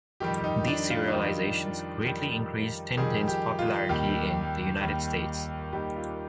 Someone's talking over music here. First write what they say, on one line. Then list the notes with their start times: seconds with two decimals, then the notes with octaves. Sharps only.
These serializations greatly increased Tintin's popularity in the United States.
0.20 F2 D#3 G3 G4
0.44 D#4
0.68 D4
0.90 F4
1.07 D#4
1.13 F2 D#3 G3 F4
2.05 F2 D#3 G3
2.97 F2 D#3 G3 G#4
3.28 G4
3.59 F4
3.89 D#2 D#3 G3 G4
4.80 D#2 D#3 G3
5.73 D#2 D#3 G3 G4
5.96 F4